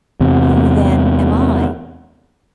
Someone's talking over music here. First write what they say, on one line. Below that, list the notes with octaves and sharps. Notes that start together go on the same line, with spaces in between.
"Who, then, am I?"
E2 C3